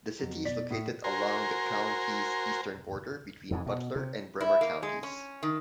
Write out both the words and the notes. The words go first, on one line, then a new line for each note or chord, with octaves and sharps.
The city is located along the county's eastern border, between Butler and Bremer counties.
F2 F#3
B2 D5 B6
A2 D#6
F#4 A#4 C5 G#5 A#5 C6
F2 G#2 E3
B2
C3
E4
A#3
G#3
C#4
D#3